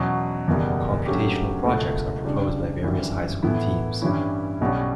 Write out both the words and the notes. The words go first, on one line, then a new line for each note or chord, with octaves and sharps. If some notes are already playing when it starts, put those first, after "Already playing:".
Computational projects are proposed by various high school teams.
Already playing: E2 B2 F#3 C#4
F#1 E2 B2 G3
G2 F#3 A3 C#4 G4
C#2 B2 A3
C#3 G3 D4
G1 F#2 E3 G3
A2 E3 B3 E4
G2 E3 G3 C#4 E4
B1 B2 G3 C#4